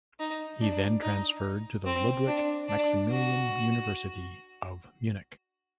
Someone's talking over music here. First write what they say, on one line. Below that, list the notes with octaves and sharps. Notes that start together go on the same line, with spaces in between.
He then transferred to the Ludwig Maximilian University of Munich.
D#4
D4
D#4
C4
D4
D4
F#4